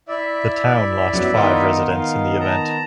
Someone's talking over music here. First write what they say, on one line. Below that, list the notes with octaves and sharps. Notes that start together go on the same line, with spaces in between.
The town lost five residents in the event.
E4 D5 E5
F#2 F#3 B3
D#3 B3 D#4 F4
D#4 F5
A5 A#5